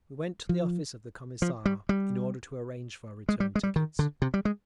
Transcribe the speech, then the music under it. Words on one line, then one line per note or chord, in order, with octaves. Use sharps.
We went to the office of the Commissar, in order to arrange for our return tickets.
F3
F3
G3
G3
G#3
G3
G#3
G3
D#3
D3
C3
G3
G#3